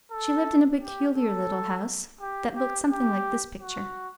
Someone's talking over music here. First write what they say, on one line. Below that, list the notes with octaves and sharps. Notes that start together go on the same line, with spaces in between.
She lived in a peculiar little house, that looked something like this picture.
A4
G4
A4
G4
G4
G4
F#4